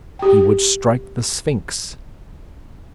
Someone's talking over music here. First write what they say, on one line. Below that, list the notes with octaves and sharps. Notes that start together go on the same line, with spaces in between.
He would strike the Sphynx.
G4 G5